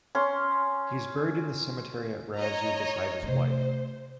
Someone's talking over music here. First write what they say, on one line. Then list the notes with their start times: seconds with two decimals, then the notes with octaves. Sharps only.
He is buried in the cemetery at Raizeux beside his wife.
0.15 C#4 C6
2.36 C#5 D#5 A#5
3.23 C3 A3 C5